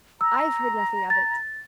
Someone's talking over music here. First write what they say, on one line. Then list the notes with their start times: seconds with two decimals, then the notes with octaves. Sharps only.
"I've heard nothing of it."
0.21 A#5 E6
1.10 A6